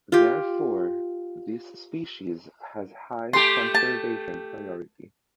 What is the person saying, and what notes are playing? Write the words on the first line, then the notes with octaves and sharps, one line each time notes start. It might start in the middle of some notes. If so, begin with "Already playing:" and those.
Therefore, this species has high conservation priority.
F4 G4
A3 G4 C6
A5